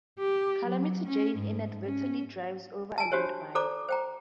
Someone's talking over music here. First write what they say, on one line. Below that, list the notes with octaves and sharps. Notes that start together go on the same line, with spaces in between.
Calamity Jane inadvertently drives over a land mine.
G4
F#3
C#4
G#2
C#4
G#5 A5
D4 F#4 G4 C5 C#5
A4 C5 D5 A#5 D6
C5 G5 A#5